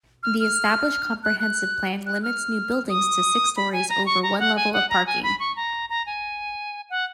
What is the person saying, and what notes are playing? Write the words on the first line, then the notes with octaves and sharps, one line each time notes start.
The established comprehensive plan limits new buildings to six-stories over one-level of parking.
F6
F6
F#6
F#6
F#6
F6
D#6
B5
G#5
A#5
C#6
A#5
F#5
G#5
F#5
A#5
G#5
B5
C#6
A#5
A#5
G#5
F#5